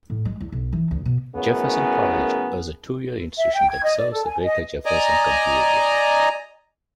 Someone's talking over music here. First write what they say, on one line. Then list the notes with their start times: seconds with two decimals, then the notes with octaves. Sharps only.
Jefferson College is a two-year institution that serves the greater Jefferson County area.
0.10 A2
0.25 G#3
0.40 E2
0.52 B1
0.72 E3
0.91 D2
1.05 B2
1.36 F#2 A2 C#3 B3 C#4 A#4
3.38 E5
3.55 G5
3.70 G#6
3.84 D#5
3.97 D5
4.11 A4
4.25 G#5
4.44 D#5
4.86 D5 D#5 G#5 A#5